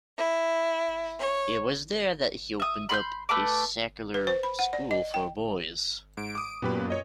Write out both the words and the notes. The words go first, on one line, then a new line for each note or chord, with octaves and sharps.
It was there that he opened up a secular school for boys.
E4
C#5
E5 D#6
B5 C6 D#6 G6
A3 B4 A5 D6
B4
C5
B5
F#5
D5
D#5
G5
G#2 D7
D6 D#6
F#2 A#2 B3 G4 B4
C#5 D#5